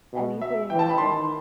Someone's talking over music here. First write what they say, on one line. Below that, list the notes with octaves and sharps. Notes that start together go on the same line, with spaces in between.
anything else,"
B2
E5
E3 G5
A5
B5
D#3 C6